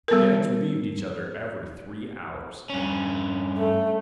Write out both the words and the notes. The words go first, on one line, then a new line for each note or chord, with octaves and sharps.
The gangs relieved each other every three hours.
G3 B3 A4 A#4
G2 C#4
A3